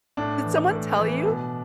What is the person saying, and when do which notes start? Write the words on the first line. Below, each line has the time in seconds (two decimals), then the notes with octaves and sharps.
Did someone tell you,
0.17 A2 D4
0.44 E3
0.71 A2
0.98 E3
1.25 B2